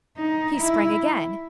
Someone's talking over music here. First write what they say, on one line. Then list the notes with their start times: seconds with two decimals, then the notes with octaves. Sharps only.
He sprang again.
0.18 D#4
0.58 E4